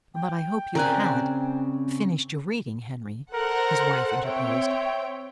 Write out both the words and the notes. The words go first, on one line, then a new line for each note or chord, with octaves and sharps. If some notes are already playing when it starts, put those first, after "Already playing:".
"But I hope you HAD finished your reading, Henry?" his wife interposed.
G5
C#3 C4 A#4 D5 G#5 F#6
A4 A#4 C5 F#5
C4 C#5 E5 G5